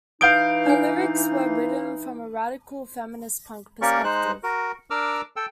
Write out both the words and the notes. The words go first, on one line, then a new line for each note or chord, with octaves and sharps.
Her lyrics were written from a radical feminist punk perspective.
E3 D#4 F5 D#6 G6 D7
D4 G#5
A#3 C#4 G4 A#4 D5 C#6
G#3 D#4 C5 F#6
F#4 A#4
D4 A#4 D6 E6 F6
A4 G5 E6